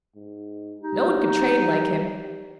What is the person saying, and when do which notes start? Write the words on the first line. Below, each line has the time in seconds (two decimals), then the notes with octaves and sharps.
No one could train like him.
0.15 G#2
0.81 D#4 G4
1.52 G3